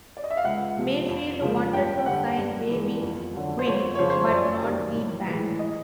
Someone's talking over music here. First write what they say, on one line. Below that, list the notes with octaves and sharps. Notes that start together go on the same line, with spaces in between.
Mayfield wanted to sign Baby Huey, but not the band.
D5
D#5
E5
F5
C#2 F#5
C3 F3
F2
C#3 F3 G#3
G2 G5
G5
D3 G3 F#5
G2
E3 G#3
F2
D3 F#3
C5
F2 C#5
C#5
C#3 F3 C5
C5
C#5
F#2 D5
D#3 G3
A2
E3 G#3
D#5